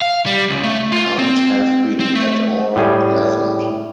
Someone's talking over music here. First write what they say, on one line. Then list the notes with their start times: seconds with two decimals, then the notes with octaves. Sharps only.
Can't have been at all pleasant.
0.02 F5
0.26 G3
0.50 C#2
0.64 A3
0.92 F4
1.18 C4
2.00 C4
2.15 A3
2.76 A2 G3 G#4